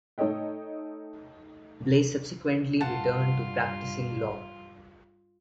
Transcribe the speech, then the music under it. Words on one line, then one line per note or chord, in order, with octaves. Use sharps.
Blais subsequently returned to practicing law.
A3 D#4 A4 C#5 D#5 G5
G2 F4 F#5 A5